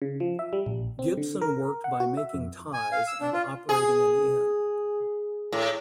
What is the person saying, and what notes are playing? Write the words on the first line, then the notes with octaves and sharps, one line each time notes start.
Gibson worked by making ties and operating an inn.
C#3
F3
E5
G3
A#1
C4
D3
A#4
F#5
F#4
E5
F2
G#5
F5
E6
D4
F4
G#4
A2